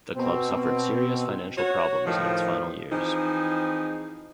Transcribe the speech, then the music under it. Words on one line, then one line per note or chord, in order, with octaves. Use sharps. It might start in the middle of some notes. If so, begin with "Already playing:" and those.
The club suffered serious financial problems in its final years.
B2 C4
F#4 C#5
A2 D#3 F3
E3 F3 C4 D#4 G#4